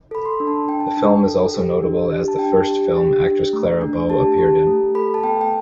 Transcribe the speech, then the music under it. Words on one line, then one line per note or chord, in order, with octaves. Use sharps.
The film is also notable as the first film actress Clara Bow appeared in.
A4 B5
C6
D4
A5
D4 G5
A5
G5
D4
A4
G4
D4
G4
A5
D4 G5
G4
G4
D4
A3
D4
G4 A5
G4
A3
A4 B5
A5
B3 G5
G5